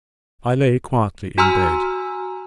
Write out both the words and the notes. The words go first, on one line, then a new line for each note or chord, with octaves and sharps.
I lay quietly in bed.
F#4 G#5 A#5 C6 E6 F6